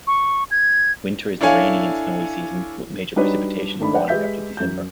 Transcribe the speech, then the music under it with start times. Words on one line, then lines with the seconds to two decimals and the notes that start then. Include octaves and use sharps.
Winter is the rainy and snowy season, with major precipitation falling after December.
0.07 C#6
0.51 G#6
1.41 D4 E4 A4 C#5 F5 G#5
3.16 G3 D4 D#4 F#4 B4 C#5
3.78 G#2 D#3 A3 D4 B5
3.93 B4 D5 F#5 G5
4.08 G#3 G4 B4 E5 G6 B6
4.57 F#2 G6